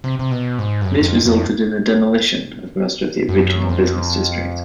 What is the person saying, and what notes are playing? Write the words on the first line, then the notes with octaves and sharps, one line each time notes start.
This resulted in the demolition of most of the original business district.
C3
C3
B2
G#2
G2
F#2
F#2
F2
F2
F#2
F2